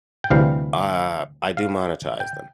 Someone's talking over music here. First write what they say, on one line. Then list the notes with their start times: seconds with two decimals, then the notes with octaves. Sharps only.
uh, I do monetize them.
0.24 G5
0.30 D2 C3 E3 G3 C4 F5
1.57 F5
2.20 G5